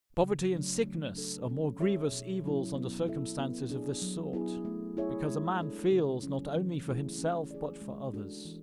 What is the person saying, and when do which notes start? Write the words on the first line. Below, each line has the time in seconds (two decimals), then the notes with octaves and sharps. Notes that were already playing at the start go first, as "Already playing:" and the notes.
Poverty and sickness are more grievous evils under circumstances of this sort; because a man feels not only for himself, but for others.
0.22 C#3
0.53 F#3 A3 D4
0.85 A3
1.17 D4 A4
1.48 C#4
1.80 G#4 C#5 E5
2.12 B2
2.44 F#3 C#4 E4
2.76 B3
3.07 E4 A4 E5
3.39 B3
3.70 D4 G#4
4.02 F#3
4.33 B3 E4 G#4
4.65 A3
4.97 E4 G#4 C#5 E5
5.29 G#3
5.60 D4 A4
5.92 C#3
6.23 F#3 C#4
6.55 E3
6.87 A3 C#4 E4 G#4
7.18 C#4
7.51 G#4 D5
7.82 G#3
8.14 D4 F#4 A4
8.46 E3